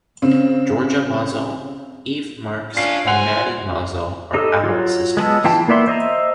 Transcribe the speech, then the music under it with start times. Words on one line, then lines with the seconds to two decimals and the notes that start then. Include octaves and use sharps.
Georgia Mozell, Eve Marks and Maddy Mozell are adult sisters.
0.22 C#3 C4
2.77 C#4 D4 F4 C7
3.07 C5 F#5 G#5 F7
4.34 D#4 G4 A4 E6
4.64 F#3 F4
5.17 G#3 B3 A5 E6
5.44 E3 E4 F4 G5 A5
5.68 A#3 B3 D5 E5 C6
5.88 C5 D#5 E5 A#5